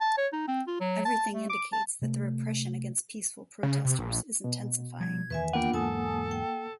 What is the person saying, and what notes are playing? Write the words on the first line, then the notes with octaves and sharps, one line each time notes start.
Everything indicates that the repression against peaceful protesters is intensifying.
A5
C#5
D#4
C4
F4
F#3
A5
A3
D6
A5
C3 A3
C#3
C3
A#1
B2
F3 G3 G#6
E2 D#3 B4 E5 G#5
A#3 B3 D4 F4 F#5 G5
E2 G#2 A4 G#5 A5 D#6
G5